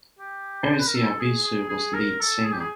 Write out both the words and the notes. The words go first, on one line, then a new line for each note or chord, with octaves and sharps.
Ersi Arvisu was lead singer.
G4
C5
B4
A#4
A4
G#4
G#4
G#4
A#4
A4
G#4
G4
G#4